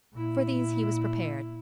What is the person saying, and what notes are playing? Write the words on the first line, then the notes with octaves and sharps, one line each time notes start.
For these he was prepared.
A#2 E4